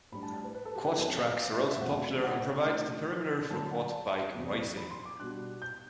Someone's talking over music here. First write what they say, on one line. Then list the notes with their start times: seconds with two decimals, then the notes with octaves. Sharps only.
Quad tracks are also popular and provide the perimeter for Quad bike racing.
0.12 A2 G3 D4 B5
0.23 A5
0.34 A5
0.44 B4
0.55 B4
0.65 A4
0.76 G4
0.86 B4
0.96 F#2 F#3 C4 A4
1.18 B4
1.39 D5
1.49 E5
1.60 C5
1.71 E5
1.81 E2 B2 A3 C4 F#5
2.23 F#5
2.65 B2 A3 D4
3.50 D2 D3 F#3 B3 A5
3.71 F#5
3.82 A5
4.35 E2 C3 F#3 C4
4.78 B5
4.91 C6
5.05 D6
5.19 B2 G3 D4 F#6
5.62 G6